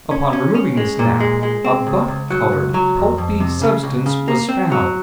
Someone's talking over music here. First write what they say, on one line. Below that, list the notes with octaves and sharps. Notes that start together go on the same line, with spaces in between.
Upon removing this nap, a buff-colored, pulpy substance was found.
C#4
C#4
C#4
G#3
A#2
G#3
G#3
C4
C#2
C#2
F#3
C#2
F#3
F2
F2
C3
C#3
C#2
C#3
A#3
C4
F#3